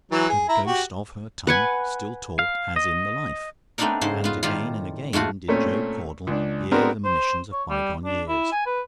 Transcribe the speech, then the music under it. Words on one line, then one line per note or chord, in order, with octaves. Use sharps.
The Ghost of her Tongue still talked as in the life; and again and again did Job Caudle hear the monitions of bygone years.
E3 F#3
G#4
E4 A#5
F#4 G4
B4 F#5 G#5
F5
D#5
A3 B3 C4 D4 D#4 A#4
G#2 C#3 C5
B3 F4
A2 D#3 G3 F4
G#2 A3 F4 F#4 B5
A#2 A3 C4 C#4
C#2 D4
G#3 B3 C4 D4 F#4 A#4
C5
C#5
G3
D4
E4
G#5
B4